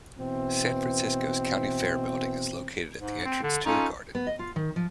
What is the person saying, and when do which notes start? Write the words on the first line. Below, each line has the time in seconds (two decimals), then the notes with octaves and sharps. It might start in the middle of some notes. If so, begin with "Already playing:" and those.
San Francisco's County Fair Building is located at the entrance to the garden.
0.18 B2 E3 C4
2.99 G#2
3.25 C4
3.43 D3
3.66 C#4 D#4 F4 A4
4.15 B3
4.27 D#5
4.39 F4
4.56 D#3
4.76 F3